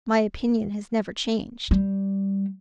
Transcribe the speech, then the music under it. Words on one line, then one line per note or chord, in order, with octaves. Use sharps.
My opinion has never changed.'
G3